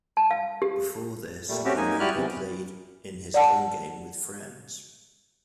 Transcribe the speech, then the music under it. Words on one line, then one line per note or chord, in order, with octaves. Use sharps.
Before this, he mainly played in his home game with friends.
A5
F5
G4
A#2 G3 A3
A3 C4 C#4 F#4 G4
G#3 A#3 D#4 G#5
E4 F#4 G4 D5 F6 F#6
E2 C3 E3
D5 F#5 A5